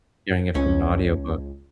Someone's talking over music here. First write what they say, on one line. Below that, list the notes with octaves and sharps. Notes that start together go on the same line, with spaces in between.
hearing it from an audiobook.
C#2 C#4